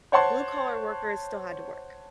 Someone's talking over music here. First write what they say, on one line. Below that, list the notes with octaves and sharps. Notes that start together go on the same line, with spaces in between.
blue collar workers still had to work
C5 C#5 F#5 A5 C6